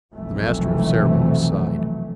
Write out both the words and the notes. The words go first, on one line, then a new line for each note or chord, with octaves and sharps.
The Master of Ceremonies sighed.
F1 B1 F2 E3 F#3 A3